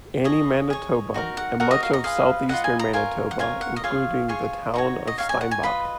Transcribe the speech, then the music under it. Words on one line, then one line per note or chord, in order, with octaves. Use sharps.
Anne, Manitoba and much of southeastern Manitoba, including the town of Steinbach.
G#4 C#5 D#5
G#4 C#5
D#4 F#4 A#4
F#5
D#4 F#4 A#4 F#5
D#5
F5
D#5
F4 G#4 B4 D#5 F5
F4 G#4 B4 D#5 F#5
G#5
A#5
F4 A#4 C#5 G#5
F#5
F4 A#4 C#5 G#5
F#5
D#5
F4 G#4 C#5 F5
F4 G#4 C#5
D#4 F#4 C#5
D#5
D#4 F#4 C#5 F5
G#5
F#5
G#5
F4 B4 D#5 B5